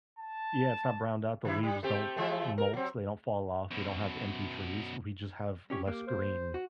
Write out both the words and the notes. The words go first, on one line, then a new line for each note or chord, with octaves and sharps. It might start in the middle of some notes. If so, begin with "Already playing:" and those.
Yeah, it's not browned out, the leaves don't molt, they don't fall of, we don't have empty trees, we just have less green
A5
D#3 E4
G3
A3 C4 G4
E3 G#3 A3
A#4
F#3 C4
F#2 B2
C#4 G4 C#5
A#3 G4
C5
F#4